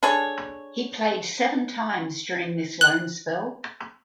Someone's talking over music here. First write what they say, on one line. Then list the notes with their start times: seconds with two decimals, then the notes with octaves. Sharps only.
He played seven times during this loan spell.
0.03 D4 G#4 A4 C#5
2.81 F#6